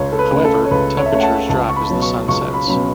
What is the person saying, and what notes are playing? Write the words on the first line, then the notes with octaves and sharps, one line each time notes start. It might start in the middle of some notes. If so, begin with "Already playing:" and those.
However, temperatures drop as the sun sets.
Already playing: C#2 C#5
A4
B4
C#3 A3
A4
C#5
C#2 B4
C#5
E5
C#3 A3 C#5
F#5
A5
C#2 A5
C#6
B5
B2 F#3 C#4
C#6
C#2 C#6
B5
B2 F#3 C#4 B5